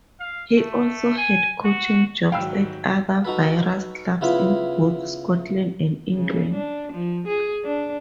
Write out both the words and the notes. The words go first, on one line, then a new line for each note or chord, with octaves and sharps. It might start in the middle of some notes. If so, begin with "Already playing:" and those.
He also had coaching jobs at other various clubs in both Scotland and England.
F5
A3
G#5
F#4
G#2 D#3 F#3 F5 G5 B5 E6
D#4 F#4 A4 B4
C#3 B3 E4 F4 B4
C#3
D4
F3
G#4
D4